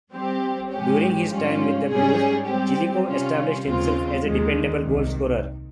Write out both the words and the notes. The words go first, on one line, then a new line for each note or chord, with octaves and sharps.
During his time with the "blues", Chilikov established himself as a dependable goal-scorer.
G3 C4 G4
G#2 F3 G#3 C#4 G4
G#2 G3 C#4 F4
G#2 G3 C#4 G#4
G3 C4 G4
C3 G3 C#4 F4
D#2 C#3 G#3 C4 F4
D#2 D#3 G#3
C2 C3 D#3